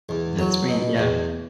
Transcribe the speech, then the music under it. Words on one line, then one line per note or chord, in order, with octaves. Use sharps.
That's me, yeah.
E2
F#3
B2
E2